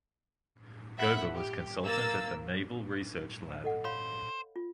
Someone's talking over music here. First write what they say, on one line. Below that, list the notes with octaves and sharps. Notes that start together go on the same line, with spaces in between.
Gover was consultant at the Naval Research Lab.
E5 F#5 B5
G4
A#3 E6 A6
A4 D#5 F#5
C5 C#5 F5 B5
F4